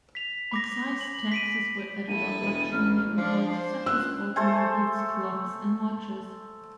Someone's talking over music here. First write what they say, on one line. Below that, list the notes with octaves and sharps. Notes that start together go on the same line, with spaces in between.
Excise taxes were added on luxury imports such as automobiles, clocks and watches.
B6 F7
B5 D6 A#6
F#7
B6 D7 D#7
A#1 E4 A4 D#7
E1
A1 F6
F3 D4 C7
C5
C#2 E6 F#6
A3 A4 C5 G#5